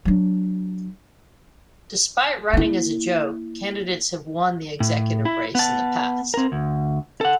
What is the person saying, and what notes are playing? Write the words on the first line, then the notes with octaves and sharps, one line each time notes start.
Despite running as a joke, candidates have won the executive race in the past.
F#3 D4
A#3 E4
A2
E4
B3 A5
C4 A#4
D2
A4 F#5